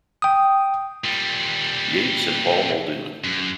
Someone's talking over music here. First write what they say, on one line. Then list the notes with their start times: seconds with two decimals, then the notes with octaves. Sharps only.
Yeats and Paul Muldoon.
0.22 G5 D#6
1.04 A#2 G3
3.24 F#2